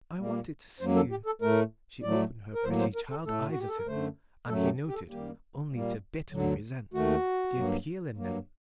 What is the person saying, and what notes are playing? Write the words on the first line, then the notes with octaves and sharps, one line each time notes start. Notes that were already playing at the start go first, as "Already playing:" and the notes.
"I wanted to see you." She opened her pretty child-eyes at him, and he noted, only to bitterly resent, the appeal in them.
A#2 G3 A#3
F#2 F#3 A#3 C5
A4
G4
A4
A2 A3 A#4
A2 F#3 A3 D5
A#4
A2 F#3 A#3 C5
C5
A#4
A4
A2 A3 A4
F#4
G4
A4
A#4
F#2 D3 A3 C5
F#2 F#3 A3 A4
G4
G4
A4
F#2 D#3 G3 A#3 G4
A#2 G3 A#3
D2 D3 F#3
D#2 D#3 A3 F#4
G2 F#3 A#3
G2 F#3 A#3